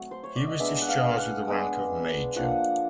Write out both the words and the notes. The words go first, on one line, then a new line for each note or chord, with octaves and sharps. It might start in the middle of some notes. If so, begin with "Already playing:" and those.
He was discharged with the rank of Major.
Already playing: F#3 A3 C4
C5
C#5
D5
D#5
G#3 B3 D4 E5
F#5
F5
F5
F#5
G#3 B3 D4
F3 A#3 D4 F4 F#5